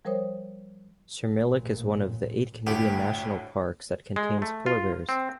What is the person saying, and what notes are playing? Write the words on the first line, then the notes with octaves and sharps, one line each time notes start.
Sirmilik is one of eight Canadian national parks that contains polar bears.
F3 G3 A#4 C5 C#5 D#6
A1 A#2
G1 D2 A2 G4
G#3
A3
F4
C4